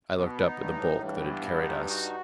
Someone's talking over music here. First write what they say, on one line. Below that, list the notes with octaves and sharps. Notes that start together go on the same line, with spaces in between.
I looked up at the bulk that had carried us.
B2 B3
D#4
G2
A2
G2 E3
B3
D#4
F#4